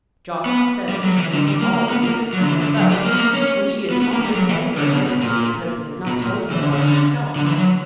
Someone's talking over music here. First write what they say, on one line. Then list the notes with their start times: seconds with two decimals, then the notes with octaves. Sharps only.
Jost says that she knows all that Dietrich has been about, and she is hot with anger against him because he has not told her about it himself.
0.46 B3
0.89 G3
1.03 F#3
1.18 E3
1.32 D3
1.47 G3
1.61 A#3
1.75 A#3
1.90 B3
2.04 A#3
2.33 F#3
2.41 D3
2.47 E3
2.62 D3
2.76 F#3
2.91 G3
3.05 A#3
3.12 B3
3.19 A#3
3.33 C#4
3.91 B3
4.02 B3
4.13 A#3
4.24 G3
4.34 F#3
4.49 E3
4.78 D3
4.84 C#3
4.91 B2
5.06 B2
5.21 A#2
6.07 B2
6.22 A#2
6.50 E3
6.60 D3
6.72 C#3
6.81 D3
7.36 D3
7.46 E3
7.58 F#3